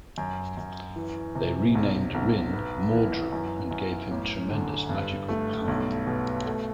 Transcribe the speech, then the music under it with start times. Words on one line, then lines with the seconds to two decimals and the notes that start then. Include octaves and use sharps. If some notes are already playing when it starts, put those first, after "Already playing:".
They renamed Wrynn, "Mordru" and gave him tremendous magical power.
0.18 F#2
0.57 F#2
0.96 E3
1.35 C3
1.75 B1
2.14 B1
2.53 B3
2.93 E3
3.32 F#2
3.71 F#2
4.11 A1
4.50 D3
4.89 G2
5.29 A3
5.68 B1
6.07 B2
6.47 A3